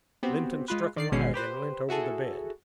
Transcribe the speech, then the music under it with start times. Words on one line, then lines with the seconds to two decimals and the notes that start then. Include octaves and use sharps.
Lynton struck a light and leant over the bed.
0.23 B3 C4 F#4 G4
0.68 G#3 F4 B4
0.97 D#3 D5 C7
1.12 G#1 B2 G#3 C#4 C7
1.34 G4 B4 C5
1.89 E4 F#4 G#4 A4